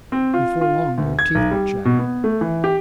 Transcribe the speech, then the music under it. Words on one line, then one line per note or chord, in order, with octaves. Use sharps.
Before long their teeth were chattering.
C4
F4
F4
D2
G#6
B1
G3
B2
B3
A3
E3
G4